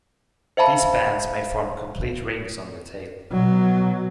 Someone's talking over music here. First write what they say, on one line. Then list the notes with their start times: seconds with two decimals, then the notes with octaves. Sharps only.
These bands may form complete rings on the tail.
0.57 C5 E5 F5 A5 B5
3.31 B2 F#3